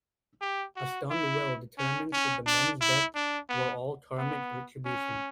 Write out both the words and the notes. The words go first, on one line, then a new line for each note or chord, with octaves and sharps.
A stunned Will determines that the men's deaths were all karmic retribution.
G4
F#4
E4
C#4
C#4
D4
E4
D4
B3
B3
C#4